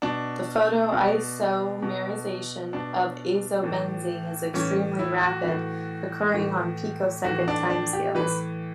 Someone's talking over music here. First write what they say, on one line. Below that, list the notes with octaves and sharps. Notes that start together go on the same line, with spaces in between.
The photo-isomerization of azobenzene is extremely rapid, occurring on picosecond timescales.
B2 D4
B2
B2
B2 D4
A2 E3
A2 E3 C#4
E4
F#4
A2 E3
A2 E3
A2 E3 F#4
D4
D4
G4
A2 E3 B4